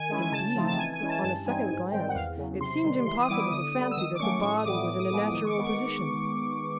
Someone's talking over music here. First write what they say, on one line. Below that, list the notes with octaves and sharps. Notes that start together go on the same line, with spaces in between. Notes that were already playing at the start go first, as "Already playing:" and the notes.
Indeed, on a second glance, it seemed impossible to fancy that the body was in a natural position.
Already playing: D#3 G#5
G#3 C#4 E4
G#5
C#3 A5
F3 A3 C4 D#4
A5
E3 G#5
G#5
G#3 C#4 E4
A5
G2 A5
E3 G3 C4 D#4 G#5
G#2 G#5
D#3 G3 C4 G5
F#5
E2 F5
C#3 F#3
C3 C6
D#3 G3
E3 C6
D#6
G3 B3 E4 D6
D3 D#6
G3 B3
E6
D#3 D#6
D6
F#3 A3 C#4 C#6
A2 C#6
D#6
E3 G3 B3 D6
A2 D6
D#6
F3 G#3 B3 D6
D#3 D#6
C#6
D6
G#3 B3
C#6